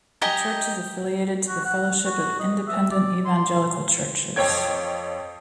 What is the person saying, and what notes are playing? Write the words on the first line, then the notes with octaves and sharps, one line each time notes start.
The church is affiliated to the Fellowship of Independent Evangelical Churches.
G4 D#5 G#5 A#5
F#4
F#5
F#4
D#5
E5
D5
C6
F2 C#5 G5 G#6